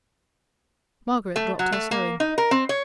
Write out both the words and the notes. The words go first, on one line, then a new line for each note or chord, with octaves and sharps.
Margaret dropped her sewing.
A3
F#3
A3
A#3
D#4
A#4
C4
C#5